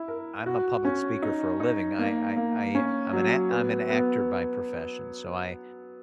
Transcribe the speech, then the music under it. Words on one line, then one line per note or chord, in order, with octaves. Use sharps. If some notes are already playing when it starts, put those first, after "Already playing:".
I'm a public speaker for a living. I I I I'm an act I'm an actor by profession, so I
Already playing: E4
A#4
F#4
C#4
D#4
D#4
A#3
A#3
C#4
F#3
B3
B3